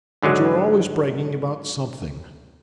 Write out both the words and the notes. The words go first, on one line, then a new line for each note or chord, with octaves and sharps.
'But you're always bragging about something.
G#2 D3 F#3 G#3